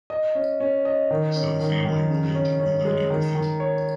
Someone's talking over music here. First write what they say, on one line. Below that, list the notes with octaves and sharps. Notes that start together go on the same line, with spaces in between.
So the family will need to relearn everything.
D#5
C#4
C#4
D#5
D#3
C#4
D#3
D#3
C#3
C#4
C#4
G#3
D#3
D#3
C#5